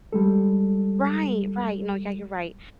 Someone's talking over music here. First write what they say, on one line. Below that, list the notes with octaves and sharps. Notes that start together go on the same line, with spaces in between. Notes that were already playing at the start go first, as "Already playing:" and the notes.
Right, right, no, yeah, you're right,
G3 G#3 A4